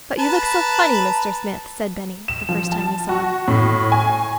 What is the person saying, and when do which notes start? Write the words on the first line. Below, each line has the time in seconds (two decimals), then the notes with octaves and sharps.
"But you look so funny, Mr. Smith," said Benny, the first time he saw him.
0.19 B4 A5 A#5
2.28 E7
2.49 F3
2.72 A5
3.09 F#4
3.48 A2
3.92 G#5